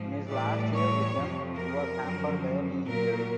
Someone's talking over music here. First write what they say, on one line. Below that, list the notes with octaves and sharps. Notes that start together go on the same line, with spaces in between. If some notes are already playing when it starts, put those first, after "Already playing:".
In his last year with them he was hampered by a knee injury.
Already playing: G#2 F3
A2 E3 G3 D5
C#5
F2 C3 F3
A#4
F#2 D3 F3
A#2 F#3 A#4